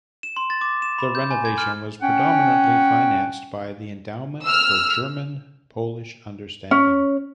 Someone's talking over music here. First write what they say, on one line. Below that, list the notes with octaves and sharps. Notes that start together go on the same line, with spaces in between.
The renovation was predominantly financed by the "Endowment for German-Polish Understanding".
E7
C6
A6
D6
E7
B5
G6
G#5
G#6
F6
C#4 F#5 G5
E6 F6
C#4